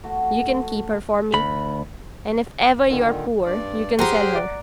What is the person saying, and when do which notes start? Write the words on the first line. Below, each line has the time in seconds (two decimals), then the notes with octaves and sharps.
You can keep her for me, and if ever you're poor you can sell her.
0.04 A3 F#4
1.34 D2 B5
2.89 A#2 D3 D#3
3.46 G2 D5
3.99 G4 G#4 C5 F#5 A#5 C6 F6
4.35 D5